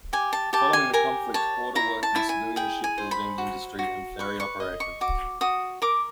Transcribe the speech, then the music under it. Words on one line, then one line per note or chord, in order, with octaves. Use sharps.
Following the conflict, Porter worked in civilian shipbuilding, industry and ferry operations.
G4 G#5
A5
G4 A5
G#5
A#4 G#5
C#5 A5
E4 A#5
A5
E4
G#5
G#4 G5
G#5
C5
B5
F#4
F#4
B4 C#6
C#6
D#5
C#6
F#4 D6
F#4 D#6
A#4 D6